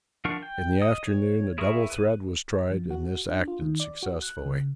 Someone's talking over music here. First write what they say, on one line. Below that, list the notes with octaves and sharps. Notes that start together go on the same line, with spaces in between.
In the afternoon a double thread was tried, and this acted successfully.
F3 D4 A#4 F#5 C#6
G5
D#5 D#6
C#5
E4 G#4 A#4 E5 C#6
B4
F3
F#4
D4
F4
D#3
D5
F#4
F#6
C#3